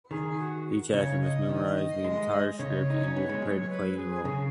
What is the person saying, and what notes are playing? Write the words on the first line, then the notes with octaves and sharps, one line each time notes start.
Each actor must memorize the entire script and be prepared to play any role.
D#3 G#4
F#4
D#5
C#3 C#5
D#5
D#3
G#3
D#5
C#3 C#5
D#4
C#4
B3
G#3
F#3
C#5
B4
G#4
C#3 G#4